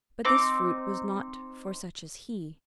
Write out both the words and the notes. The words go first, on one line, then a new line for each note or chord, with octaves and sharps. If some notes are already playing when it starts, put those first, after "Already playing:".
But this fruit was not for such as he.
C4 D#4 D6